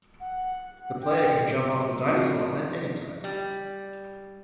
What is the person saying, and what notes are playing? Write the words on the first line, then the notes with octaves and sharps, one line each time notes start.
The player can jump off of the dinosaur at any time.
F#5
G5
C#3 F3 C4 D#4 F#4
G3